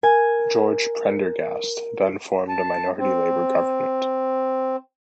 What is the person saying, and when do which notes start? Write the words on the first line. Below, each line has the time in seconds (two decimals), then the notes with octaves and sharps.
George Prendergast then formed a minority Labor government.
0.03 A#4 G#5
2.49 A5
2.97 C4